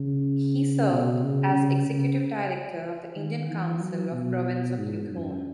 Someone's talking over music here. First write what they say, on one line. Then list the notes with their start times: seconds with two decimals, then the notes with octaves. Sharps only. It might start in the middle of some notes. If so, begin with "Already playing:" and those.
He served as Executive Director of the Indian Council of the Province of Yukon.
Already playing: C#3
0.90 B2
1.23 C#3
1.55 C#3
1.87 C#3
3.16 D#3
3.49 E3
3.80 F#3
4.13 B2
4.78 G#2
5.10 F#2